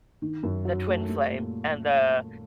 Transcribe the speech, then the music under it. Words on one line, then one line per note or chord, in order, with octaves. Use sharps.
the twin flame, and the
D#3
F#2
F#3
A3
G3
A#2